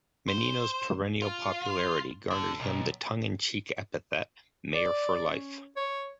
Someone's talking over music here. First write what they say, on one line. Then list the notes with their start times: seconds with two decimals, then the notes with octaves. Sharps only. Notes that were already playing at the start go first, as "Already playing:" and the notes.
Menino's perennial popularity garnered him the tongue-in-cheek epithet Mayor for Life.
0.28 C5
1.22 F4
2.30 D3
2.60 B1
4.75 D5
5.29 C#4
5.77 C#5